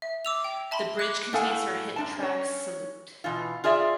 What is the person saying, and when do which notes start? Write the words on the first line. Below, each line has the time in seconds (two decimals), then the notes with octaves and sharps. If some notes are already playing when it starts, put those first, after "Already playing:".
The Bridge contains her hit track "Salute".
0.02 E5
0.25 D6 E6 F7
0.44 G5
0.71 E5 A5 B5 C6
0.99 D6 F#6
1.33 A2 B3 A4 F5 G#5
1.96 F#2 D4 A5
2.18 C#4 C#5
3.24 B2 E3 F4
3.64 F4 G#4 D5 E5